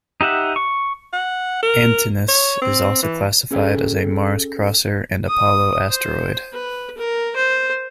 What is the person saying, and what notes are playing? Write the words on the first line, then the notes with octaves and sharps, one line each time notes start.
"Antinous" is also classified as a Mars-crosser and Apollo asteroid.
D#4 G4 E5 F#5
C#6
F#5
A#4
C#5
C4
E3
C#4 G#4 A4 F5 G5
D#6
C5
B4
A#4
C5